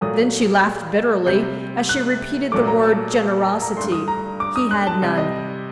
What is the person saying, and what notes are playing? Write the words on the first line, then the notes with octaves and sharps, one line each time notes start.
Then she laughed bitterly as she repeated the word "generosity"--he had none.
A#2 F#3 A3 D#6
C3 G3 G6
F#6
A#2 F#3 A3 D6
A#5
A5
A#5
A5
A#5
G2 D3 A3 C6
D#6
A#5
D6
D#6
F#6
A5
C3 G3
D#5